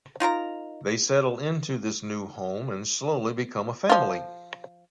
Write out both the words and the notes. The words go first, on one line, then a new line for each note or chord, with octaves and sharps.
They settle into this new home and slowly become a family.
D#4 F4 A#4 A#5
F3 F4